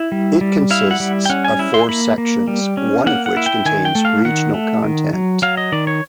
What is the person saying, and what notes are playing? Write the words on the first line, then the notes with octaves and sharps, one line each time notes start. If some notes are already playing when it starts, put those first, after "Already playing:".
It consists of four sections, one of which contains regional content.
Already playing: E4
G3
G3
E4 F5
F#5
G3
G5
C#4 F#5
G#5
E4
C6
A#3 B5
A#3
G3
C#4
A#3 F#5
F#5
E4
G5
D#3 G#5
G5
A3
F5
D#3 F#5
A3
D#3
F#3
F#3 F5
D#5
D#3 D5
C#5